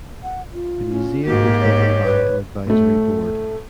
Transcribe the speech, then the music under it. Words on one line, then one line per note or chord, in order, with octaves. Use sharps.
The museum is governed by an advisory board.
F#5
F4
C#4
G#2 A#3 F#4 G4
C#5
B4
A2 A3